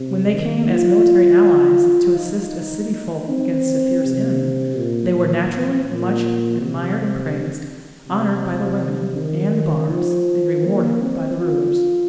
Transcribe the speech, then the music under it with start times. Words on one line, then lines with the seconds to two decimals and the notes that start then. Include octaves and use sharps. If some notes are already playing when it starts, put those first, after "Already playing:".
When they came as military allies to assist a city folk against a fierce enemy, they were naturally much admired and praised, honoured by the women and the bards, and rewarded by the rulers.
Already playing: C3
0.34 D#3
0.71 F4
2.18 D#4
2.92 D#4
3.29 C4
4.02 C3
4.77 A#2
5.13 A#2
5.87 A#2
6.60 C3
8.07 C3
8.44 C3
9.18 D#3
9.91 F3
10.65 A#3
11.02 C4
11.39 F4